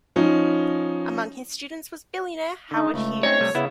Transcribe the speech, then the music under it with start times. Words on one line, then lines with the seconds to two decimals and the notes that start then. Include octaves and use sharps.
Among his students was billionaire Howard Hughes.
0.16 F3 C#4 D#4
2.71 D3 D#4
2.94 C#2 A3
3.23 C4 C#4 D#4 C#5
3.41 C3 G3 A3
3.55 C#3 B3 E4 E5